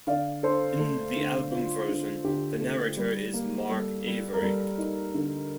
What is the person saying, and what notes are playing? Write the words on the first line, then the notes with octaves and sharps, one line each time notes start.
In the album version, the narrator is Mark Avery.
D3 D5 F5
D4 A4 C5
A3 A4
D3
F4
D3
D3 G4
A3
G3
A#3
G3 A4
G3
A#4
G3 A4
D#4
D3